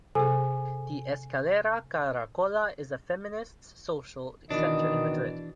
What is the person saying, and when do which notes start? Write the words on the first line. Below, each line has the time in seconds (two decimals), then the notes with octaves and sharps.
The Eskalera Karakola is a feminist social center in Madrid.
0.15 C3 G#4 A4 G#5
4.51 B2 D#3 E3 D4 D#5